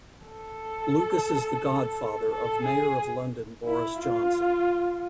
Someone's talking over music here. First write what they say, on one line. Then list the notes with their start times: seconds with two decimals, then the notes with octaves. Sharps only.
Lucas is the godfather of Mayor of London Boris Johnson.
0.26 A4
2.29 A4
2.63 G#4
3.65 E4
3.99 F4